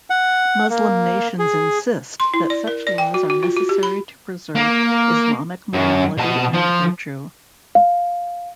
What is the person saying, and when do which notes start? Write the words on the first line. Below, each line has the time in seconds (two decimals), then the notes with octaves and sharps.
Muslim nations insist that such laws are necessary to preserve Islamic morality and virtue.
0.10 F#5
0.70 A#3
1.39 G#4
2.20 C6
2.34 E4
2.50 D5
2.68 A#4
2.87 D5
2.98 G5
3.14 F#4
3.30 F#4
3.43 F4
3.57 F#4
3.69 G4
3.83 B5
4.56 A#3
5.73 F#2
6.18 B2 A5
6.53 F3
7.75 F5